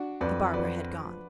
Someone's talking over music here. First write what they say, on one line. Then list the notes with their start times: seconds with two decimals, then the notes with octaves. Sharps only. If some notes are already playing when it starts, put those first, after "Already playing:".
The barber had gone.
Already playing: D4 F#4
0.21 F2 B4 D5
0.54 F3 B4 D5